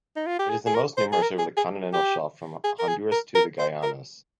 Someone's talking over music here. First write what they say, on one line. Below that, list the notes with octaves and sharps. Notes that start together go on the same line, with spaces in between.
It is most numerous over the continental shelf from Honduras to the Guianas.
D#4
F4
G4
G#4
G#4
A#4
C5
G#4
A#4
G#4
G#4
G4
G#4
A#4
G#4
A#4
A#4
C5
A#4